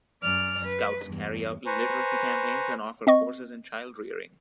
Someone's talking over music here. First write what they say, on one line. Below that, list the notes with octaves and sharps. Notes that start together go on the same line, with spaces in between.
Scouts carry out literacy campaigns and offer courses in childrearing.
F#2 D5 F6
B4
E2 G2
B4 C5 G#5 A#5 C#6
C4 D#5 C#6